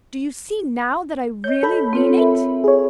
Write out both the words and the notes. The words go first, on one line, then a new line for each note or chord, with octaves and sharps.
Do you see now that I really mean it?'
C#5 D#5 G6
A4 B5
C4 F4 C#5
A#4 E5
G#4 C#5